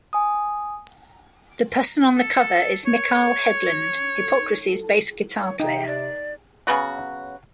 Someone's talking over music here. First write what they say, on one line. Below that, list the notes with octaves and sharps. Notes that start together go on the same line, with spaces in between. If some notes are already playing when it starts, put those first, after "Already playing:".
The person on the cover is Mikael Hedlund, Hypocrisy's bass guitar player.
G#5 D#6
A4
C#5
C#5
C3 D#4 G5
D5
C#3 F#3 B3 F#4